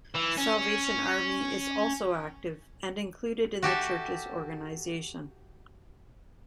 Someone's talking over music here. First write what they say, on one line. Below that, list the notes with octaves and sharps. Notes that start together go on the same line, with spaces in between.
Salvation army is also active and included in the churches organization.
E3
C#4
F#4 G4 A4 E5